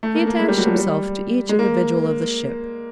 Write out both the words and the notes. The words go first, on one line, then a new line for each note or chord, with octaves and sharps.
He attached himself to each individual of the ship.
A3
A#3
A#3
G#3
G3
F#3
F3
G3
G#3
A#3